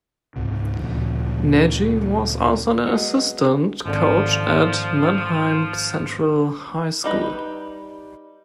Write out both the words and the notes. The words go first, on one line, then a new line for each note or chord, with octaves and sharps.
Nagy was also an assistant coach at Manheim Central High School.
C#2 G#2 C3
D2 A#2 C#3 F3
F#3 G#3 B3
G#1 D3 F3 D4
G3 D#4 B4